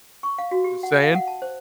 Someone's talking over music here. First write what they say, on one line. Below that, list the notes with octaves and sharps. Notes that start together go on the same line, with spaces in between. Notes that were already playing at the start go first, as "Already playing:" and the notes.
Just saying.
C#6
F5
F#4
G4
F#5
F5
F#5
A5
C5